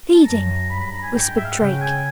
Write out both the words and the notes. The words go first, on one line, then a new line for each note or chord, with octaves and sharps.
"Feeding!" whispered Drake.
A5
F#2 A#5
G2 B5
B5
A#5
G#5
G#2 G5
E5
F5
F#5
C#3 G5
G#5